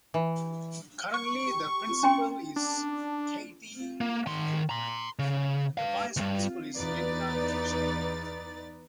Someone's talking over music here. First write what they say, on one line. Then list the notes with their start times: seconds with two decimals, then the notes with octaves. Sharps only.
Currently, the principal is Kathy Friedman, and the vice principal is Linda Kitchler.
0.14 E3
1.14 C#6
2.03 C#4 G5 C6
2.56 D4
4.01 A#3
4.27 D#3 C6
4.69 A#5 C6
5.19 C#3
5.78 B4 F5
6.17 D2 G2
6.77 E2 D#4 B4 D5 A6